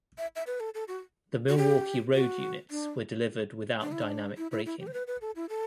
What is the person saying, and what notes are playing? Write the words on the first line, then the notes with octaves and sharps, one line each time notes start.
The Milwaukee Road units were delivered without Dynamic Braking.
E5
E5
B4
A4
A4
F#4
F#4
G4
F#4
D4
D4
E4
D4
E4
E4
E4
G4
C5
B4
B4
A4
E4
A4